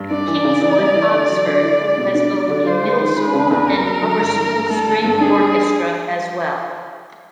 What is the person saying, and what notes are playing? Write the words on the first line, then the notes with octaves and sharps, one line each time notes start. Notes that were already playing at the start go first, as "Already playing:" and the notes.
Kingswood Oxford has both a Middle School and Upper School string orchestra as well.
Already playing: G2
D4 D5
E3
C#3
E3
G3
E3
D3
F#3
D3
E4
G#3
B2
D4 D5
F#3
D3
F4 C5
G#3
D#3
G#3 B4
C#3
E2
C#4 A#4
F#3
D3
G2
E3
G2
A3 A4
D3
G2
D4 G#4
G3